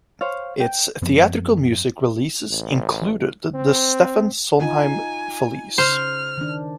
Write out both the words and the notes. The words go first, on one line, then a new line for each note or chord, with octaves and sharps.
Its theatrical music releases included the Stephen Sondheim Follies.
C5 C#5 F5
G5
F#2 F3 B3 C4
A1
C4
D#4 F4 G#5
C#3 C5 F6
D#3 D4